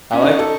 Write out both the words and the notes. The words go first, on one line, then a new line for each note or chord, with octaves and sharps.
I like
C#4
D#4 C#6
A4